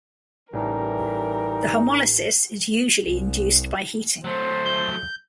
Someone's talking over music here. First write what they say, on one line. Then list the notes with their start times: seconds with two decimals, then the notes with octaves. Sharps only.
The homolysis is usually induced by heating.
0.53 A1 E3 G3 D#4 A#4
3.05 C2
4.24 F#3 A3 C5
4.65 G6